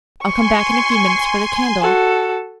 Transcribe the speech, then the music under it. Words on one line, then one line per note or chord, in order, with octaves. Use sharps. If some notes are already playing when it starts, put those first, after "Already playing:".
I'll come back in a few minutes for the candle.
G#5 C6 C#6
F#4 A4